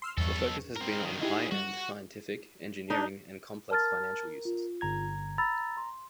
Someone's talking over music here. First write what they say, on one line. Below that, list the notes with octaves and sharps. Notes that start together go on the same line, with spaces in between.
Their focus has been on high-end scientific, engineering and complex financial uses.
C6 E6 F6
B1 E2 G2 A4 C#6
C4 A#4
G2 D#3
D3 D#4 E4 G4 G#4
G3 F#4
D4 D#4
A#4 A5 F6 A6
F4
G1 A#5 G#6
A#5 B5 E6 A6
C6